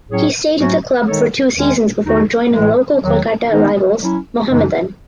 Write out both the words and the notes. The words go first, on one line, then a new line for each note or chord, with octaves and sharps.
He stayed at the club for two seasons before joining local Kolkata rivals Mohammedan.
A2 F#3 C#4 G#4 C#5
G#2 F#3 A3 C#4 F#4
D#3 G#3 D#4 A4 C#5
E2 D#3 G#3 C#4
E2 D#3 A3 D#4 F#4
A2 E3 G#3
E2 D#3 F#3
D#3 G#3 B3 D#4
F#3 C#4 E4
F#2 C#3 E3 G#3 D#4